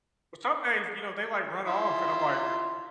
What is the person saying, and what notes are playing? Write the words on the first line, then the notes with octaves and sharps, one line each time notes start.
Well some days, you know, they, like, run off, and I'm, like
E4 F4 C6